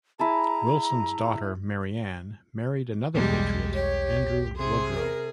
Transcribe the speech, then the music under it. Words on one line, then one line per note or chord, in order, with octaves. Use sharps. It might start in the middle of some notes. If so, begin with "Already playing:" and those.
Wilson's daughter, Mary Ann, married another patriot, Andrew Wodrow.
E4 G#4 A5 A#5
B1 E2 G3 G#3 G4
G4 C#5
C3 G#4 C6
A#4